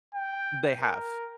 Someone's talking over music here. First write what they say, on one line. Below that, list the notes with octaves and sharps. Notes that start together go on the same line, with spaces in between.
They have.
G5
A#4